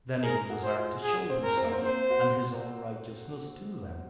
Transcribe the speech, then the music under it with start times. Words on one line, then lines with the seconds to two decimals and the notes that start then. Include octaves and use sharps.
Then He will desire to show Himself and His own righteousness to them....
0.23 G#4 A#4
0.50 F#4
0.63 C5
0.77 F4
1.03 G#4
1.30 C4
1.44 A#4
1.57 C4
1.64 A#3
1.72 C4
1.83 C4 C5
2.10 F#4